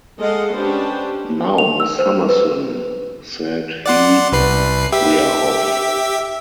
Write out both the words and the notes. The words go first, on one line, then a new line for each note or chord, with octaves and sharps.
"Now, Miss Summerson," said he, "we are off!"
G#3 A4 D#5 F5 F#5
C#4 D4 G4 B4 C5
F7
E6
C5
B4
D5 F#5 C6
C2 B4 C7
G4 E5